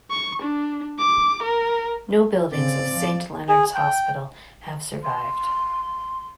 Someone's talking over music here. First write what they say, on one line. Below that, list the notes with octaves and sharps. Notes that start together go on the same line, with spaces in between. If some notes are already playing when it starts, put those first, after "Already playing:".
No buildings of Saint Leonard's hospital have survived.
C#6
D4
D6
A#4
C#3 C4 D5
F3
G#4
G5
C6